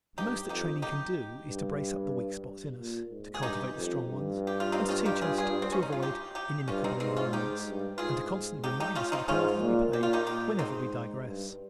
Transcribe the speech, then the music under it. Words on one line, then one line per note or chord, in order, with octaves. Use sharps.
The most that training can do is to brace up the weak spots in us; to cultivate the strong ones; to teach us to avoid inimical environments; and to constantly remind us of the penalties we pay whenever we digress.
G2 D#4 G4
F2 D#4 G4
D#4 G4
G2
A#2
G#2
G#4
G2 D#4 G4
F2
G2
G4
F4
C4 D#4
C#4 F4
D#4 G4
F4 G#4
F4 G#4
C4
C#4
D#4
F4
D#4 G4
D#4 G4
G2 C#4 F4
C4 D#4
G#2 C4 D#4
C#4 F4
G#2 D#4 G4
G2
G#2 F4 G#4
D#4 G4
D#4 G4
C#4 F4
C4 D#4
G#2 C#4 F4
A#2
A#2 G4
F4
D#4 G4
A#2 D#4 G4
G#2 C4 D#4
G2